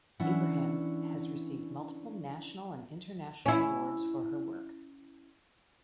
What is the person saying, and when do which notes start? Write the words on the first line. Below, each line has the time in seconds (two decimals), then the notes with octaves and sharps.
Ebrahim has received multiple national and international awards for her work.
0.20 E3 C#4 D4 E4 F#5
3.46 C#4 E4